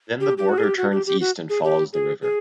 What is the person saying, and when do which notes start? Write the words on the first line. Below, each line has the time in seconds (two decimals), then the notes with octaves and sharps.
Then the border turns east and follows the river.
0.20 G4
0.37 G4
0.49 F#4
0.58 G#4
0.64 G4
0.77 F#4
0.92 G4
1.07 G4
1.21 F#4
1.49 G#4
1.64 G4
1.93 G#4
2.22 G#4